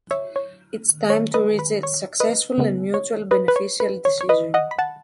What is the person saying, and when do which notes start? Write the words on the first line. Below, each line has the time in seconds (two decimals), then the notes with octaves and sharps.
It's time to reach a successful and mutually beneficial decision.
0.11 C#5 E5
0.36 C#5
1.10 C#5
1.34 B4 D#5
1.59 B4
1.83 C#5
2.20 B4 D#5
2.58 C#3 G#3 B3
2.94 C#5
3.31 B4 D#5
3.48 B4
3.56 C#5
3.80 B4
4.05 C#5
4.21 C#5
4.29 B4 D#5
4.54 D#5 F#5
4.71 B5
4.79 F#5 A5